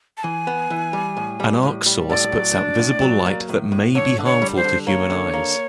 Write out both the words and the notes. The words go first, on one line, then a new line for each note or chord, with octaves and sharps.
An arc source puts out visible light that may be harmful to human eyes.
A5
E3 G#5
B3
E3
G3
A2
G3
A2
G3
A2 D5
F#3
D4
A2
F#3
A#3
A2
A2
D3 C#5
D3
C#5
G3
C5
D3
A#3 C#5
D3
A#3